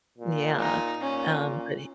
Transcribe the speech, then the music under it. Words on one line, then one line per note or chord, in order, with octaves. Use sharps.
Yeah, th um, but he
A#2
D#4
A#2 C#4